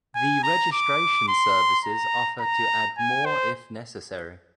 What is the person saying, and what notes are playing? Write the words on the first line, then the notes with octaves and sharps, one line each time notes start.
The registration services offer to add more if necessary.
G#5
A#5
D6
C6
A#5
A#5
G#5
C5